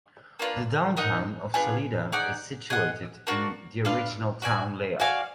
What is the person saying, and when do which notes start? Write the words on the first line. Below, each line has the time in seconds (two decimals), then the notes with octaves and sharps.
The Downtown of Salida is situated in the original town layout.
0.39 A#3 D4 F4 B4
0.97 D#4 A#4 D#5 F#5
1.54 B3 D4 F4 G#4
2.12 D#4 G#4 D5 F#5
2.70 G#4 D#5 F#5
3.27 A#3 D4 F#4
3.85 D4 F4 B4 F5
4.42 F#4 D5 G#5
5.00 F#4 D5 F5 G#5